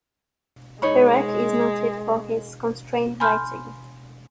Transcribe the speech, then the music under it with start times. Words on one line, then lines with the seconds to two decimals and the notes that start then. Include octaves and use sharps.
Perec is noted for his constrained writing.
0.82 G#3 D#4 C#5 B5
3.20 G#5 B5 C6 F6 G6